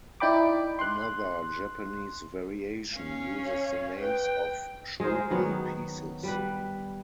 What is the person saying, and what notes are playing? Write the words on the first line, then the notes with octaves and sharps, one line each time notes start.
Another Japanese variation uses the names of shogi pieces.
D#4 E4 D5 G5 B5 D6
C6 F#6
C#4 F5
C#5
B4 G5
G#3 G#4 A#4 C5
D#3 F#3 B3
G3 B4